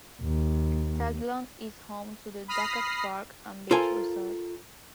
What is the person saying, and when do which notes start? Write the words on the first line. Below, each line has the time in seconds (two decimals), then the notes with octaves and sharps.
Taguilon is home to the Dakak Park and Beach Resort.
0.22 D#2
2.48 B5 D#6 F6 A#6 C7
3.71 F4 A4 A#4 C5 G#5